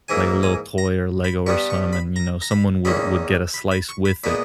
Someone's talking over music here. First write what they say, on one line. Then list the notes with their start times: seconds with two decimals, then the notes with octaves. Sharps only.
like, a little toy or Lego or some and, you know, someone would would get a slice with it.
0.08 G#2 E3 A#3 G#5
0.43 G#5
0.78 A#5
1.24 B5
1.46 G2 G3 B3 C#6
1.70 C#6
1.93 B5
2.16 A#5
2.42 A#5
2.51 B5
2.85 E2 D#3 A#3 C#4 B5
3.54 B5
3.71 B5
3.89 C#6
4.05 B5
4.24 A#2 G#3 B3 B5